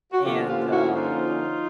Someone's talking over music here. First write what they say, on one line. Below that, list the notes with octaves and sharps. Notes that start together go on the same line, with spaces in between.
And, um,
F#4
D3 F3 A#3 C#4 F4 G4
F4 G4
F4
E4 F#4
D#4 F4